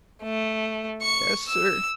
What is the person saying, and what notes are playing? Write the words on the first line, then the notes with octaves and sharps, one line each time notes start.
"Yes, sir."
A3
C#6 C#7
E6